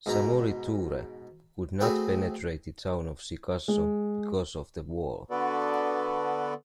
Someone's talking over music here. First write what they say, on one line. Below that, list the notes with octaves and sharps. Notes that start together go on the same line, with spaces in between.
Samori Toure could not penetrate the town of Sikasso because of the wall.
G#2 B2 A#5
A3 C4 F#4 G#4 B4 G5
G#3
D3 B3 F#4 A4 B4 D5